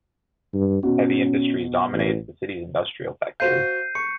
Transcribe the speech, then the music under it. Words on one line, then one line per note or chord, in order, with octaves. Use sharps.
Heavy industry dominates the city's industrial sector.
G2
B2 C#4 F#4
A1
F#4 C5 F5 G6 C7 D#7
C#6 C#7